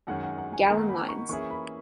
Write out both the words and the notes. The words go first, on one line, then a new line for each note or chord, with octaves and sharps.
Gallen lines.
F#2 D#3 G#3 C#4 F#5
F#5
F#5
G#5
D#3 A#3 D#4 A#5
B5
C#6
E3 A#3 C#4 E4 G#4 C#6
B5